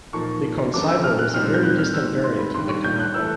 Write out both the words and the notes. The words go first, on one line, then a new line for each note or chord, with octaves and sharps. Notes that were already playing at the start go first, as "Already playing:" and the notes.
The konsaibo was a very distant variant of the kanabo.
A#2 F3 A#3 D#4 C#6
F#2 D3 F3 D6
E6
F6
F#6
A#2 G3 C4 D#4 F6
G6
F#6
F6
G#2 D#3 G#3 C4 E6
C6
B5
G2 D#3 G3 C6
C#6
G6
F#6
E6
E3 A3